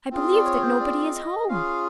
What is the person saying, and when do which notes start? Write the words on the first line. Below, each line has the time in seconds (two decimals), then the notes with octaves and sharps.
"I believe that nobody is home."
0.11 C4 F4 G#4
0.34 D5
0.45 C#5
0.62 C5
0.80 D5
1.14 D#5
1.49 C#4 F4 G#4 F5